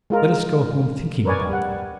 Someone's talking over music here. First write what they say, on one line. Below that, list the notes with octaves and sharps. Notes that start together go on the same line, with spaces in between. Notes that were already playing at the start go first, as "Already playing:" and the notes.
Let us go home thinking about that.
G#3 F4 A#4
A#4 B4 C#5 D5 G#5
G3 F#5